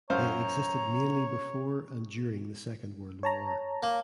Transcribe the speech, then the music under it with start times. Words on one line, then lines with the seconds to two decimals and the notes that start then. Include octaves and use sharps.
They existed mainly before and during the Second World War.
0.10 F#2 C5 C#5 F5 A#5
3.23 C#5 A5 A#5
3.83 A#3